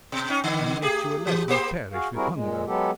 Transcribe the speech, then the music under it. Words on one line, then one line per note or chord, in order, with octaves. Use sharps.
"And yet you will let me perish with hunger?"
B2
C#4 D#4
D3 D#3
A3 G4 G#4
E3
A#3 G4 C5
F#4 G#4 F5
G3 C4 E4 F#4 G#4 A#4
A#2 G#3
F#3 G#3 B3 G4 A4